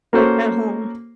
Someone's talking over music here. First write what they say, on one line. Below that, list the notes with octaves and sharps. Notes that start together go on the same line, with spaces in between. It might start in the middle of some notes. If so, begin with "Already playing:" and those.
Like, at home.
A#3 C#4 F#4 A4 C5